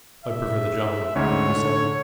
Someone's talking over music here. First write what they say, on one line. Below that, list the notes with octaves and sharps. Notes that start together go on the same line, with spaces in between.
"I prefer the jungle," he said.
E5
D2 G#2 C#4 C#5
D3